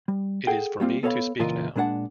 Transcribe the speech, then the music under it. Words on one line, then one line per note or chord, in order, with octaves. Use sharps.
It is for me to speak now.
G3
G#4 A4 F#5 G5
G3 A#3 C4 F4
B3 A4 C#5 D#5 F5 B5
C#2 A#2 E3 F4 A#4 D#5
A#2 G#3 D4 C5 F#5 A5